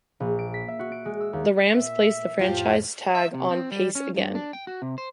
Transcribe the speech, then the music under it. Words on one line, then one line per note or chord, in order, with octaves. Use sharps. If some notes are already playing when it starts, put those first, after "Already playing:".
The Rams placed the franchise tag on Pace again.
A#1
D7
B6
E5
F#4
D7
G#3
E6
D#2
A#2 E5
F2 A2 F3 F4 G4
E5
C3
C4
G3
C#4
G2
D4
G5
F#4
C3
C5